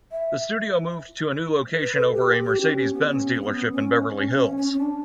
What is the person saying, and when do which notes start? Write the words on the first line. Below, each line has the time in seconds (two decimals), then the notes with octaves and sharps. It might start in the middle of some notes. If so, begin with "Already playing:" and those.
The studio moved to a new location over a Mercedes-Benz dealership in Beverly Hills.
0.12 E5
1.81 B4
1.98 A4
2.14 G4
2.45 G4
2.61 C#4
2.77 C#4
2.93 B3
3.09 C#4
3.34 C#4
3.41 B3
3.72 C#4
4.30 B3
4.35 C#4
4.57 C#4
4.73 C#4
4.78 D4